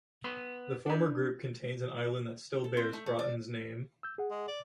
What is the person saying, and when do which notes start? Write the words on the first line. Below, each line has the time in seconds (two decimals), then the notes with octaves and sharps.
The former group contains an island that still bears Broughton's name.
0.24 B3 B5 C6
0.86 D4 B5
2.64 A4
2.77 C4
2.93 A3
3.06 A3
3.19 D5
4.03 E6 G6
4.18 G#4 F#5
4.31 G#3
4.48 D5